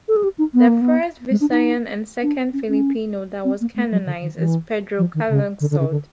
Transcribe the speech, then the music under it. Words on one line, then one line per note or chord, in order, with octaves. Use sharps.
The first Visayan and second Filipino that was canonized is Pedro Calungsod.
A4
G#4
G4
D#4
B3
A#3
B3
G#3
D4
D#4
D4
C#4
C#4
C4
A#3
A3
F#3
D3
D#3
E3
F3
D#3
C#3
D3
D3
C#3
D3